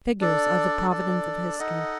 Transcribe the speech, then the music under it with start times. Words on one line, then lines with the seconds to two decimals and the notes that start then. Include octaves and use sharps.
Figures are the providence of history.
0.20 D4 A4 D5
0.91 D4 A4 D5
1.59 D#4 A4 D#5 F#5